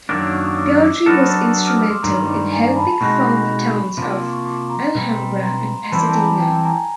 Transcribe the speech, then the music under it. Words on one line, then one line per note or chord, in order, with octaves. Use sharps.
Beaudry was instrumental in helping found the towns of Alhambra and Pasadena.
F#2 D#3 F#3 A#3 D4 D6 E6
D6 E6
C#6 D#6
C#6 D#6
D6 E6
D6 E6
F#3 B3 D4 F#4 A4 D#6 F6
D#6 F6
D6 E6
D6 E6
D#6 F6
D6 E6
C6 D6
G2 D#3 G3 A#5 C6
G#5 A#5
A5 B5
B2 G#3 C4 D#4 F#4 B5 C#6
C3 F3 A#3 C6 D6
C6
C#6
C6 D6
A#5 C6
B2 G3 C4
A#5 C6
C6
E3 G3 C4 E4 G4 A5 B5
A5
G#5 A#5
G5 A5
G#5 A#5